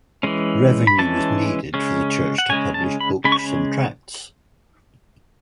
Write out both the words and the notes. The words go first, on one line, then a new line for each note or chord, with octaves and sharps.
Revenue was needed for the church to publish books and tracts.
E3 G#3 C#4
B5
E3 G#3 C#4 A5
C#3 G#3 C#4
F#5
C#3 G#3 C#4 G#5
A5
B5
C#3 G#3 C#4 B5
C#6
B5